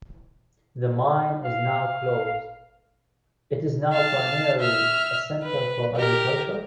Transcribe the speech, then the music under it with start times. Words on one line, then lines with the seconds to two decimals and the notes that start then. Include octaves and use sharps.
The mine is now closed; it is now primarily a centre for agriculture.
1.44 F5
3.93 F5 A5
4.60 E5 F6
5.43 B4
5.95 G4 A#4